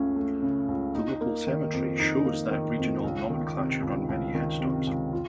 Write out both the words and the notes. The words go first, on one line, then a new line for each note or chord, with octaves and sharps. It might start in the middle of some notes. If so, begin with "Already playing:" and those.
The local cemetery shows that regional nomenclature on many headstones.
Already playing: C#2 C#3 A3 C#4
A3
C#3
C#2
D#4
A#3
D#3
F2
D#4
A#3
D#3
F2
C#2
D#3
C3
C#2
C#2
D#3
C3
C#2
F4